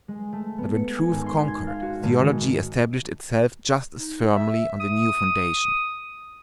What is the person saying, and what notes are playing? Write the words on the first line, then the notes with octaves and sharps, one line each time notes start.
But when truth conquered, theology established itself just as firmly on the new foundation.
G#3
A3
B3
C#7
G#5
G#1
C6
G#6
F5
F#4
G#1
D#3
D#4
E5
D#6